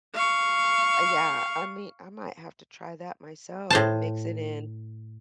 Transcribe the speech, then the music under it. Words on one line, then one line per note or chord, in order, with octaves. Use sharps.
Uh, yeah. I mean, I might have to try that myself and mix it in
F5 C#6
A2 C5 A5